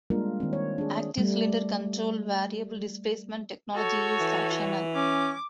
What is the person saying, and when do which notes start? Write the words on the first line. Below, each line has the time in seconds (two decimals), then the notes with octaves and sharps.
Active Cylinder Control variable displacement technology is optional.
0.10 G3 G#3 A#3 D4 F4 A#4
0.40 D#3 C4
0.53 C#5
0.78 D4 G#4
1.18 G3 A3
3.74 F#4 A4 C#5
4.20 E3
4.94 C#4 D6